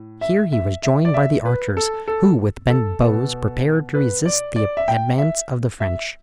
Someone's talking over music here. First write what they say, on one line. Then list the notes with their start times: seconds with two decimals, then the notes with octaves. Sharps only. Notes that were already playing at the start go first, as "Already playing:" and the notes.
Here he was joined by the archers, who with bent bows prepared to resist the advance of the French.
Already playing: A2
0.21 E5
0.52 E5
0.83 E5
1.05 D5
1.14 E5
1.45 B4
1.77 A4
2.08 A4
2.70 A4
3.01 B2 B3
3.94 B4
4.25 D5
4.56 D5
4.77 E5
4.88 G5
5.18 E5
5.80 E5